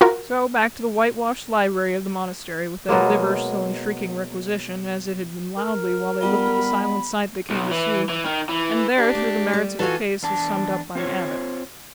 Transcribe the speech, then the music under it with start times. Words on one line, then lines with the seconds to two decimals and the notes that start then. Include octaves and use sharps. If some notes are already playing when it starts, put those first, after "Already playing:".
So, back to the whitewashed library of the monastery--with that liver still in shrieking requisition, as it had been loudly, while they looked at the silent sight they came to see--and there through the merits of the case as summed up by the Abbot.
0.01 F4 F#4 A#4
2.89 B2 F#3 G#3 A#3
5.57 A#4
6.21 G3 B3 F4 B5
7.50 B1
7.71 E3
8.10 E3
8.26 D#3
8.49 E3
8.97 D4 G4
9.15 A3
9.53 G3
9.79 E3 F4 F#4 A4 G#5
10.23 E2 D4 A5
10.95 C4 F4 C5 C#5